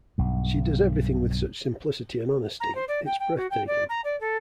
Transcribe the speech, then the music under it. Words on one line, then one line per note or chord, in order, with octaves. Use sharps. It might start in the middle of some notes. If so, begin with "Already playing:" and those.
She does everything with such simplicity and honesty, it's breathtaking.
B1 G2
A#5
C5
D5
G5
G5
F#4
G5
D5
A#5
D5
A4